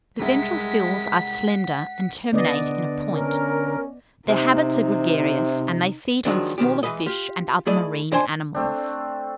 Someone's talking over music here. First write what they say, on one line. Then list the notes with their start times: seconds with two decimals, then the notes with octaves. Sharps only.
The ventral fins are slender, and terminate in a point. Their habits are gregarious, and they feed on smaller fish and other marine animals.
0.19 C2 G3 G#3 E5 F#5 B6
2.33 D3 B3 D5 D#5
3.11 C#4 A#4
4.28 C3 D#4
6.25 D#3 F3 F#3 G#3 D4
6.58 B2 D#3 F3 G4
6.83 E3 F3 G#3 B4 D#5
7.06 F4 G4
7.66 A3 E4 G#4 D5 D#5
8.12 F2 D4 C5 G#5 C6
8.55 A3 C4 D4